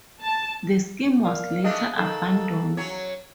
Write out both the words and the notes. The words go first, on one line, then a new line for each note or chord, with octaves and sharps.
The scheme was later abandoned.
A5
A#4 D5 F5
A3 B3 D4 G#4 D#5 F5 F#6
D#3 A4
F#3 C#4 C#5